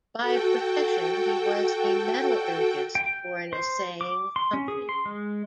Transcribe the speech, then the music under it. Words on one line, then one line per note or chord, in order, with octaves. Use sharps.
By profession, he was a metallurgist for an assaying company.
F#4 A4 G5
G5
C5
D6
C6
C#4
G#4
C6
G#3